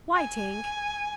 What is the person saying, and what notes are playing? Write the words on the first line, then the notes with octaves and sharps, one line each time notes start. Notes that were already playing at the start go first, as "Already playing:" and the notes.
"Why, Tink?"
G#5